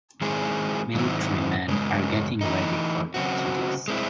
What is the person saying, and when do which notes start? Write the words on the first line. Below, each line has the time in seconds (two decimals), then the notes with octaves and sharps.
Military men are getting ready for their duties.
0.21 D#3 G#3 C4 E4 G#4
0.95 G#2 D#3 F#3 C4 E4
1.68 F#2 C#3 G#3
2.41 E3 A3 D#4
3.14 C#3 F#3 C4 F#4
3.88 G#3 C4 E4